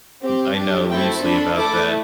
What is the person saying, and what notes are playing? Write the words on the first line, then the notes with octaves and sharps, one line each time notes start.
I know loosely about that.
C4 G4
D4 G4
A3 C4 E4 A4 G5
D4 A4 B5
A3 E4 A4 D6